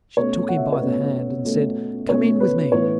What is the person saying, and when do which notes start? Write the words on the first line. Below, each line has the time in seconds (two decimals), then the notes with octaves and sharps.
She took him by the hand and said, "Come in with me."
0.17 B2 A3 C#4 C#5
0.49 F#5
0.57 E5
0.64 D#5
0.72 C#5
0.81 B2 A3 C#4 B4
1.45 B2 A3 C#4
2.09 B2 A3 C#4 C#5
2.40 B4
2.72 A2 E3 B3 C#5
2.82 B4